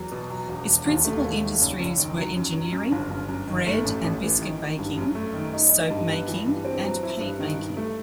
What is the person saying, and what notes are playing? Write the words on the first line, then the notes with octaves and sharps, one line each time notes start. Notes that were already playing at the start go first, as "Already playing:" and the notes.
Its principal industries were engineering, bread and biscuit baking, soap-making and paint-making.
Already playing: E2 F#3
B2
F#3
E1
E1
D#2
A3
D#2
D#3
F#1
F#1
D#3
F#3
F#2
F#3
F#2
G1
G1
F#2
D#3
A3
A1
A1
E3
D#3
D#3
G2
F#2
A3
D#3
D#4
D#4
G2
B3
E3
G2
C4
F#3
E4
G2
D#3
G2
A3